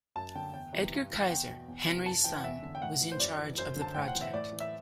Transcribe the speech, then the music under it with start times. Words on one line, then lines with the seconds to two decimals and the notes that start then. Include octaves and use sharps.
Edgar Kaiser, Henry's son, was in charge of the project.
0.16 F#2 A5
0.35 D3 G5
0.54 E2 G5
0.73 C3 E3
0.92 G2
1.11 E3
1.22 F#5
1.30 E2 G5
1.49 B2
1.68 E2
1.87 C3 E3
2.06 F#2 A5
2.24 E3 G5
2.40 F#5
2.44 E2 E5
2.63 D3
2.75 G5
2.82 A2 F#5
3.01 E3
3.12 C5
3.20 F#2 D5
3.39 E3
3.58 F#2 C5
3.76 D3
3.82 A5
3.95 A2 G5
4.08 F#5
4.15 E3
4.21 E5
4.34 A2 D5
4.53 E3
4.60 E5